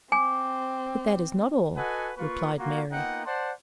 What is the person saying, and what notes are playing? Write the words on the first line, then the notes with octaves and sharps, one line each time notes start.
"But that is not all," replied Mary.
C4 G#5 D6
F#4 A4 B4 D#5 F#5 G#5
A#3 F4 B4 C#6
A#3 F4 F#4
A#3 B3 D#4 F4 F#5 G5
C5 D5 F#5 A5 C6